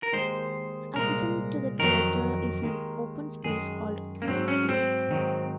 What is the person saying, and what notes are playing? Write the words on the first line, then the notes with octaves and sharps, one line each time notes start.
Adjacent to the theatre is an open space called Queen's Green.
A#4
D#2 D#3 G#3 C5
C2 A#2 G#3 A#4
F2 D#3 F#3 A#4
D#2 D#3 G#3
F#2 D#3 G#3 G#4
A#3
G#2 F#3 C4
C#4
C4
G#2 D#3 F#3